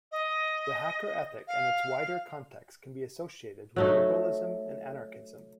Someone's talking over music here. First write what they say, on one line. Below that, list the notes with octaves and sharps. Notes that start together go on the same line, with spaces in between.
The hacker ethic and its wider context can be associated with liberalism and anarchism.
D#5
F5
F#3 A3 D#4